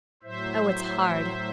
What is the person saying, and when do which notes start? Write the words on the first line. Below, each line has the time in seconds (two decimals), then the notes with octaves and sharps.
Oh it's hard.
0.23 A2 F#3 C5 E5